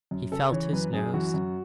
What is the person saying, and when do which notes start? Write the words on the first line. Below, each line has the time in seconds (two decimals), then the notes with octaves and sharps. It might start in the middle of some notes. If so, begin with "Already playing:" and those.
He felt his nose.
0.11 F#2
0.32 C#3 A4
0.52 E3 C#5
0.73 F#2 B4
0.93 F#2 G#4
1.14 E3 F#4
1.34 F#2